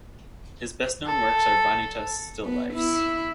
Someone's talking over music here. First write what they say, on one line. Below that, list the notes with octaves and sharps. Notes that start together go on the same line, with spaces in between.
His best known works are vanitas still lifes.
A4
B3
E4